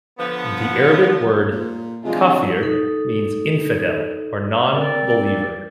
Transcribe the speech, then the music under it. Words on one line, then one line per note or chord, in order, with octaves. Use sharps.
The Arabic word "kafir" means infidel or non-believer.
D3 F3 B3
A#2
C3 E3 G#3 D4 F4
D#4 A4
A#3 C4 D5